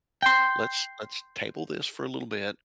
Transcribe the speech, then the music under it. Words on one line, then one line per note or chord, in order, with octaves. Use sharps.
let's let's table this for a little bit,
G5 C6